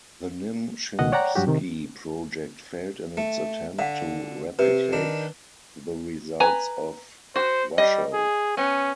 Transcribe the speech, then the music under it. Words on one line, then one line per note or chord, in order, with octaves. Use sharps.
The Nim Chimpsky project failed in its attempt to replicate the results of Washoe.
C#2 B2 D#3 D#5 F#5
C#5 D5 F#5 G5 A#5
G2 F#3 F#4 G4
C3 D#3
A3
D3 F5 F#5
C3 B4
D#3 D4
B4 G#5 A#5
F#4 C5
G3 D#5
G#4
B3 C#4